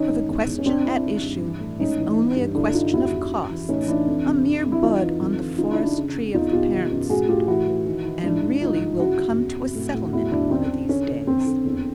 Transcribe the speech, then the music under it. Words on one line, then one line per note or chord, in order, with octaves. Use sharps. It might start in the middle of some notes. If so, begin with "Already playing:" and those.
For the question at issue is only a question of costs, a mere bud on the forest tree of the parent suit, and really will come to a settlement one of these days.
Already playing: D#3 C#4 D#4
G#2
E2
E2
C#4
C3 C4 D4
C3 D4 E4
D#3
G2
E3
A2
G#2 C#4 D#4
E3
E3
G2
D3 D4 E4
G2 D#4 F4
E2 E4 F#4
E2
F#2
E3
A2 C#4 D#4
E3 D4 E4
F2
C3
F2
F2
E4
E3 D#4 F4
E3
F2
D3
C#3 D#4 F4
D4 E4
C#3
D4 E4
C#3
F2
E2 D#4 F4
B2 F4 G4
D#3
F#2
A2 F#4 G#4
A2 F4 G4
E3 E4 F#4
E3
D#3
D#3
G#2 D4 E4
G#2
D3 D#4 F4
G2
C#3 E4 F#4
F#2
E2
C3
A2
A2
E2 E4 F#4
E2 D4 E4
F#2 C4 D4
F#2
D3 C#4
D3
F2 C4
D3
E2